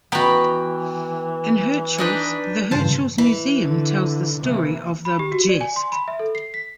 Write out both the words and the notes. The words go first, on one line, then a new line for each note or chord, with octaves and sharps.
In Hirtshals, the Hirtshals Museum tells the story of the "bjesk".
E3 B3 F#4 G5 A#5 B5
D4 D#4 B4
G2 C#3 E3 C5 A5
E3
D3
C3 E3 A#3
B5
G4
F#4
D5
G#5
C6
B5
E5
A4
C7
B6